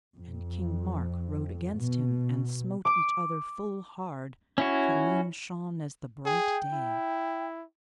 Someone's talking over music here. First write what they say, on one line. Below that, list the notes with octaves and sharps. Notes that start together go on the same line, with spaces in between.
And King Mark rode against him, and smote each other full hard, for the moon shone as the bright day.
F2
B2
D6
C#4 E4 F#4
G#4 G5
E4